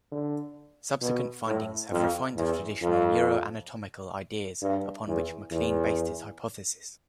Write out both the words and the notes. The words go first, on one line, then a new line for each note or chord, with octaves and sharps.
Subsequent findings have refined the traditional neuroanatomical ideas upon which MacLean based his hypothesis.
D3
B2
A2
F2
E2
F2
G2
E2
E2